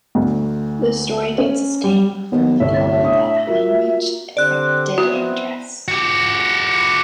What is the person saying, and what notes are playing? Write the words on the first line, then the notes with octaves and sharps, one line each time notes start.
The story gets its name from the color that Heinrich affected in dress.
D2
C#4
G3
D#2 B3
G1 C2 A2 C#5 E5
D4 D#6
F4 F#4 A#4
D3 C4 G4 D5 F#6
B3 C4 E4 F#4
F#4 G4